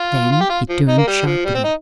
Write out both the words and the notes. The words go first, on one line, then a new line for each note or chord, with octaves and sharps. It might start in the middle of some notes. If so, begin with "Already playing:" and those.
Then he turned sharply.
Already playing: F4
F4
G4
F4
F3
D#4
A#3
G3
F3
G3
C4
D#4